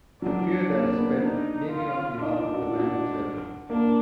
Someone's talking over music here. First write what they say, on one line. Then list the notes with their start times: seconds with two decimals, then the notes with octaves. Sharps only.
The fear that is felt may be on behalf of the man himself.
0.22 F#3 D4
0.72 A#3
0.97 B3
1.22 D4 D#4
1.71 F4
2.21 D4 D#4
2.38 F4
2.54 F#4
2.66 F4
2.80 F#4
3.70 A#3 D4